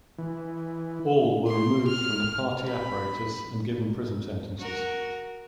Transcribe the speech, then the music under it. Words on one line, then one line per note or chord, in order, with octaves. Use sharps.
All were removed from the Party apparatus and given prison sentences.
E3
C6
F6
B5
F#4 A#4